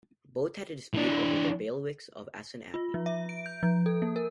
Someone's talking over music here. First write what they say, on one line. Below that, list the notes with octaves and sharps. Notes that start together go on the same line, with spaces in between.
Both had a dispute over the bailiwicks of Essen Abbey.
E3 D4
F4
F3
E5
D7
G6
F3
A4
A#3
A#4